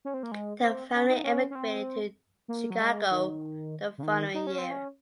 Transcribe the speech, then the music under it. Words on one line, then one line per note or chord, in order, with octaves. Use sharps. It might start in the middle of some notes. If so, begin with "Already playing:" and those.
The family emigrated to Chicago the following year.
C#4
C4
A#3
G#3
C4
C#4
D#4
C#4
C#4
C4
A#3
F#3
G#3
D#3
C#3
D#3
D#4
C#4
C4
C#4